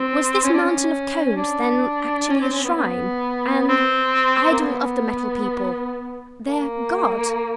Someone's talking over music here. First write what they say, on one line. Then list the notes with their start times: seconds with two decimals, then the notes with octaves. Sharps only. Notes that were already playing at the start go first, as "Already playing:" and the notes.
Was this mountain of Cones then actually a shrine--an idol of the Metal People--their God?
Already playing: C4
0.44 C#4
0.53 D4
0.62 C#4
1.36 D4
2.29 C#4
2.41 C4
2.52 C#4
2.64 B3
2.76 B3
3.68 C4
4.51 A#3
4.61 B3
6.46 A#3